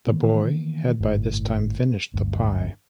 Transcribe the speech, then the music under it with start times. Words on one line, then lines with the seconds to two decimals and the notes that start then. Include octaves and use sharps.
The boy had by this time finished the pie.
0.07 D#3 E3 A#3 B3
1.01 G1 A2
2.14 G1 D2 G2